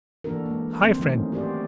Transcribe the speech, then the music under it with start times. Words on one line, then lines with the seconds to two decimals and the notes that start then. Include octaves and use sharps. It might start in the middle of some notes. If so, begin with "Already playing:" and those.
Hi, friend!
0.24 E3 A#3 D4 F#4 A4 A#4
0.46 G#3 A#3
0.82 C4 C5
1.00 D#3 E3 F#3 A3 C#4 D#4
1.32 F#4 G4 A#4 C5 D5